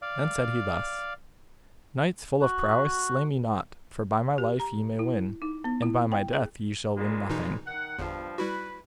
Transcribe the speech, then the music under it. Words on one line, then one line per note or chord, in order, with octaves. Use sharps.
Then said he thus: Knights full of prowess, slay me not, for by my life ye may win, and by my death ye shall win nothing.
D5 F5
F#4
G4
A#5
E4
D#4
B3
E4
G5
G#4
A#2 C#3 G#3
B2 E3 D#4
D#3 F#5
G1 E2 G2 F3
G3 E4 F#4 B4